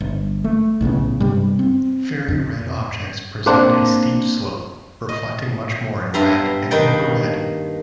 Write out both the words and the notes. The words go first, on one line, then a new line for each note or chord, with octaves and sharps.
Very red objects present a steep slope, reflecting much more in red and infrared.
G1
A3
B1 A2 C#3 B3
G2 C3 G3
C4
F2
A#3 C4 D4 F#5
D#5
G2 B3 E5 F5 A#5 C6
D#3 A#3 D#4 B4 G5 A5